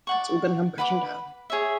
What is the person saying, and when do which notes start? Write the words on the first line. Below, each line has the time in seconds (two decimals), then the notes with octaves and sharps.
It's all going to come crashing down.
0.07 D5 F#5 C#6
0.78 B4 F#5 B5 D6
1.50 G#4 C#5 E5